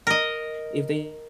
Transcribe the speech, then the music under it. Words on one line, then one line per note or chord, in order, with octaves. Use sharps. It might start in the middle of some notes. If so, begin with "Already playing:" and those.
If they
A#4 D#5